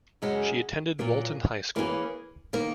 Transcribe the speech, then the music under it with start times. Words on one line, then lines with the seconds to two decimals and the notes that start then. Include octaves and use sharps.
She attended Walton High School.
0.22 F#2 C#3 G#3 C#4 F#4
0.99 A#2 F#3 A#3
1.76 E3 A#3 C#4 E4 G#4
2.53 D#3 A#3